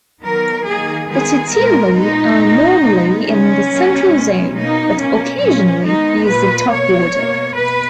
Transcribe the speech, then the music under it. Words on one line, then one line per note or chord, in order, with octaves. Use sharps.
The "tituli" are normally in the central zone but occasionally use the top border.
D#3 F#3 B3 A#4
D#3 A#3 G#4
D#3 G#3 B3 G#4
A#2 G#3 B3 A#4
A#2 G#3 B3 D#4
A#2 G#3 B3
B2 G#3 B3
C#3 G#3 B3 C#4
B2 F#3 A#3
B2 G#3 B3
B2 A#3 D#4
B2 A#3 C#4
A#2 F#3 A#3 C#4
D#3 G#3 B3 D#4
A#2 A#3 B4
B2 A#3 C#5
B2 A#3
B2 B4